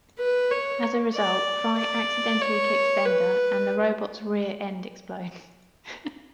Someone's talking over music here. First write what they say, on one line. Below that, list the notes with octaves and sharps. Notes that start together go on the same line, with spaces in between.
As a result, Fry accidentally kicks Bender, and the robot's rear end explodes.
B4
C#5
D5
D5
C#5
B4